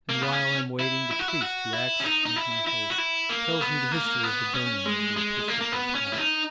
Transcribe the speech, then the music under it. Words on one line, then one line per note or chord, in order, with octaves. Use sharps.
And while I am waiting, the priest, who acts as my host, tells me the history of the burning of the episcopal palace.
A#3
B3
C#4
E4
E4
F#4
E4
F#4
E4
C#4
D#4
D#4
E4
E4
F#4
E4
A#3
B3
A#3
B3
C#4
G#3
G#3
A#3
A#3
B3
C#4
E4
D#4